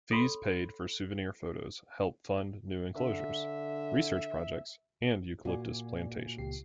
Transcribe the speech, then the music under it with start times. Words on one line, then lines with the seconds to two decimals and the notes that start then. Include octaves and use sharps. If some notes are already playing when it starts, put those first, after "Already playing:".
Fees paid for souvenir photos help fund new enclosures, research projects and eucalyptus plantations.
0.11 A4 C#5 B5 C6
2.96 D3 E5
5.45 A#2 F#4 D5 G#5
6.38 C#2 G4 C7